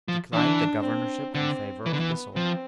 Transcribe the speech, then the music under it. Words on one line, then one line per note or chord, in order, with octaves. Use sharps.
Declined the governorship in favor of Bissell.
F3
E3 D4
C4
D3 C4
E3 B3
D3
E3
F3 C4